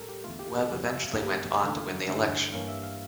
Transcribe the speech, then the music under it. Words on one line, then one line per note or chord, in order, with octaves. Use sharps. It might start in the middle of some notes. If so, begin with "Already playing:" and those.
Webb eventually went on to win the election.
Already playing: A2 G3 C#4 A4 A#4
G4
E2 D3 A3 F4
G4
A4
F2 C#3 G3 D5
E5
F5
G2 D3 G3 A#3 G5
E2 D3 A3
G2 D3 A3 C#4
G2 E3 A#3 C#4 F5
E5
F5